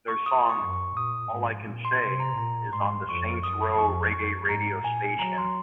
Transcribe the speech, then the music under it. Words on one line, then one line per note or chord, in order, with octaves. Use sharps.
Their song "All I Can Say" is on the Saints Row reggae radio station.
C#6
D#6
C#6
F#2
C#6
A#2 D#6
G#2
A#2
C6
C3 C6
A#5
A#2 A#5
G#2 C6
F2 C#6
F#2 D#6
F2 C#6
F#2 C#6
G#2 A#5
A#2 G#5
F#3 A#5
C6